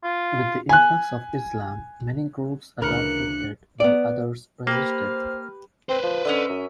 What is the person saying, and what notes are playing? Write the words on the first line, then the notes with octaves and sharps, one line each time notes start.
With the influx of Islam many groups adopted it while others resisted.
F4
G#5 F#6
D2 C#3 E3 D4 A#4 F#6 C#7
B3 D5
A#3 G4 B4 C5 F6
C4 B4 C5
F3
D3 C#4 D#5 E5
F#2